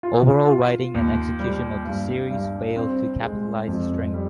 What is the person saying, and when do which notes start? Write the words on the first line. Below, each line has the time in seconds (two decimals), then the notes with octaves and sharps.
Overall writing and execution of the series failed to capitalize the strength.
0.03 F4
0.49 F4
0.94 D#2
1.40 G3
1.85 G2
2.31 G2
2.76 C4
3.22 G#3
3.67 F2
4.14 G3